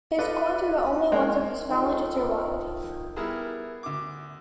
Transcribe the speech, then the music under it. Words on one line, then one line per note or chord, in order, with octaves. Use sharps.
His coins are the only ones of his family to survive.
F4 A4 B4 D5 D#5
G#3 A#3 C4
D#3 D#4 F4 A4
G3 B3 E4 G#4 A#4 E5
D2 D6